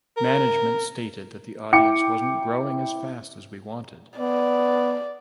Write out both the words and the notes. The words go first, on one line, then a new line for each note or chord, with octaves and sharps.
Management stated the audience wasn't growing as fast as we wanted.
A#4
E4 G5 D6 C#7
B3 D5